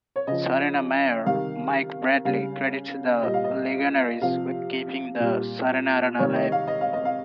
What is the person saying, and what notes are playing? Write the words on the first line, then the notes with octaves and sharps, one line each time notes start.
Sarnia Mayor Mike Bradley credits the Legionnaires with keeping the Sarnia Arena alive.
C#5
C#3 F3 D#5
C3 D#3 G3 F5
C#3 G3 F5
A#2 G3 D#5
F5
D#5
C3 F3 F5
A#2 G3
C3 D#3 G3 C#5
D#5
F5
D#5
F5
D#5
F5